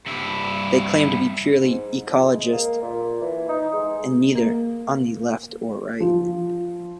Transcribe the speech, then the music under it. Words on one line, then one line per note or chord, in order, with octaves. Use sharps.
They claim to be purely ecologist, and neither on the left or right.
G2 E4
G#2
F2
G#3
A#3
A#2
E3
D#4
G#3
A#3
F3